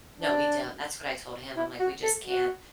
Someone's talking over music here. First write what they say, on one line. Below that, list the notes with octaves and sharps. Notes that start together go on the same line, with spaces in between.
No, we don't. That's what I told him. I'm like, "We just can't
D4
E4
F#4
A4
F#4